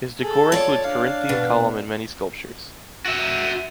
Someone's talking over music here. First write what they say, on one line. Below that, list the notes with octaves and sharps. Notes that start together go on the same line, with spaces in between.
His decor includes Corinthian column and many sculptures.
G#4 A4
F4 C#5 D5
D4 F5
B2
F#4 E5